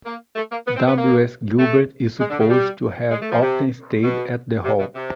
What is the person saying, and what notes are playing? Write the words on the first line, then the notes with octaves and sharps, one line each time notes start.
W. S. Gilbert is supposed to have often stayed at the Hall.
A#3
A3
A#3
B3
C4
B3
A#3
A3
G#3
D3
C#3
G3
G#3
A3
F3
C3
B2
C3
B2
C3